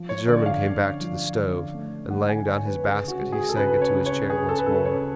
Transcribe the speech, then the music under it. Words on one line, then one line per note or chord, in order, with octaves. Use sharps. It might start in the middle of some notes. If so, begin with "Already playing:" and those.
The German came back to the stove, and, laying down his basket, he sank into his chair once more.
Already playing: F3
C#5
D3 D5
F5
D3
F3
D3
A3
D3 F#5
G#5
D3 C#5
B4
C#3 G#4
F#4
G#3
G#4
A4
C#3 B4
C#5
C#3
C#5
C#3 G#4
A4
B4
C#3 A4
C#5